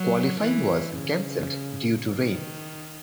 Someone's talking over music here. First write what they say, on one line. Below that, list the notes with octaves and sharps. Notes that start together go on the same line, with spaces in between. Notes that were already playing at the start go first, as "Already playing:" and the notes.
Qualifying was cancelled due to rain.
Already playing: F#3
E3
C#3
D#3